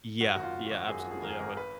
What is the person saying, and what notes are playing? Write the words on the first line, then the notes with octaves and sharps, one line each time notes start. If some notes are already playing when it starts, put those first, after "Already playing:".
Yeah, yeah, absolutely, I would.
F#2 F#4
G#1 F#4
F4
G#1
G#1 F#4
F#2 G#4
F#4
F3
G#4
G#1 A#4
G#4
G#1 A#4
B4